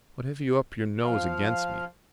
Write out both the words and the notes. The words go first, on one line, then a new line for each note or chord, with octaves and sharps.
What have you up your nose against me?
F3 F5